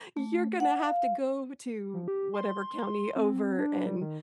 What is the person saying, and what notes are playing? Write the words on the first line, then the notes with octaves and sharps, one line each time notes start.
You're gonna have to go to whatever county over and"
A3
F#5
F5
F3
G4
C6
C4
D4
G3
D#3